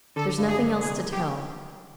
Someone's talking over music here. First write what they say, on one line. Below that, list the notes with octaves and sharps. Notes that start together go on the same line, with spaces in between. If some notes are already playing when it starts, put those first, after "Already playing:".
There's nothing else to tell.
D3 A4
G2
G#4
D3
C2 G#4
C2
G4